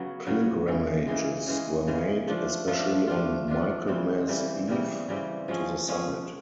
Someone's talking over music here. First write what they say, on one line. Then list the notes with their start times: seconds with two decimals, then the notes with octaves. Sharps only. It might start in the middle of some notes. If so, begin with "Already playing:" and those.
Pilgrimages were made, especially on Michaelmas Eve, to the summit.
Already playing: C#3 F#3 B3
0.26 C#3 F#3 B3
0.67 C#3 E3 G#3
1.07 C#3 E3 G#3
1.47 C#3 E3 G#3
1.87 C#3 E3 G#3
2.28 F3 A3 D4 F4
2.67 F3 A3 D4 F4
3.07 F3 A3 D4 F4
3.48 F3 A3 D4 F4
3.87 C#3 E3 G3 C4
4.27 C#3 E3 G3 C4
4.68 C#3 E3 G3 C4
5.08 C#3 E3 G3 C4
5.48 F3 G#3 C#4
5.88 F3 G#3 C#4